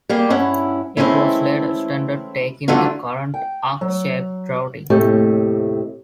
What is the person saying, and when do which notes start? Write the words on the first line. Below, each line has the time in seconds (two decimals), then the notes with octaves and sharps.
It was later extended, taking the current arc-shaped routing.
0.09 G3 A#3 G4 G#4
0.30 G2 C#4 E4 F#5
0.97 E3 G#3 A3 C4 C#4 E4
2.68 D3 E3 F#3 A3 D4 F4
3.34 G5
3.81 F#3
4.90 D#2 A2 C3 A3 G4 D#5